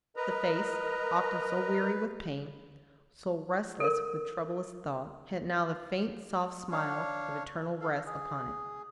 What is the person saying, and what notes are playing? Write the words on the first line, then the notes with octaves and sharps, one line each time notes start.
The face, often so weary with pain, so restless with troublous thoughts, had now the faint soft smile of eternal rest upon it.
A#4 B4 D#5 A#5
A4 A#4
D4 C#5 F5
A4 F5
G#4